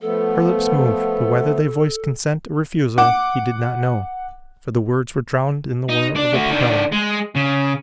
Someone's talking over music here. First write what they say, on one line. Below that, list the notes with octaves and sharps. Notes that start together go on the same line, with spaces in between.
Her lips moved but whether they voiced consent or refusal he did not know, for the words were drowned in the whir of the propeller.
F3 A3 B3 A4
F#5 D6
D#4
D4
A3 F#4
D#3 D4
G#3
C#3